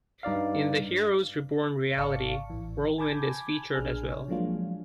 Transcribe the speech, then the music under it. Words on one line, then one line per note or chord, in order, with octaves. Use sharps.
In the "Heroes Reborn" reality, Whirlwind is featured as well.
G2 D#4 D5 F5
G#1 D5 F5 A5 C#6 C#7
A1 E3
G#5 A5 B5 D6 G6 G#6
A#1 D4 G#4 G#5 F6
C#5
F3 F#3 G#3 A#3 D4 F4